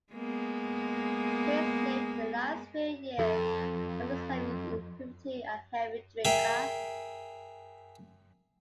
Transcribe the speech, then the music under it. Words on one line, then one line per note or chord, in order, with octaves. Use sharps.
Shays lived the last few years of his life in poverty, a heavy drinker.
G#3 A#3 B3
F2 A4
G#4 A#4 E5 G5